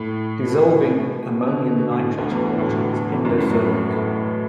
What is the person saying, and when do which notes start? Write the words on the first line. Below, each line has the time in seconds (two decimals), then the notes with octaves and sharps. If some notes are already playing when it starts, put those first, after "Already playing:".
Dissolving ammonium nitrate in water is endothermic.
Already playing: A2
0.45 B2
1.47 D3
1.51 B2
1.65 B2
1.78 B2
1.91 A2
2.04 B2
2.18 D2 D3
2.31 E2 E3
2.45 B2
2.58 A2
2.75 B2
2.93 B2
3.10 E2 E3
3.25 F#2 F#3
3.37 A2 A3
3.51 F#2 F#3
3.64 B2
3.91 A2